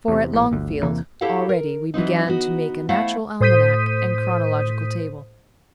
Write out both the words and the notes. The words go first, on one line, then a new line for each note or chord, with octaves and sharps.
For, at Longfield, already we began to make a natural almanack and chronological table.
E2 C3
A#1 A2
G1 D2
E2 C3 E3 A#3
E4 G4 A4 C#5 F5 F#5
A#4
E3 F#3 C4 D#4
B3 D#4 F#4
A3 E4 C5 F5 F#5
A2 C5 D#6 G6 B6 D#7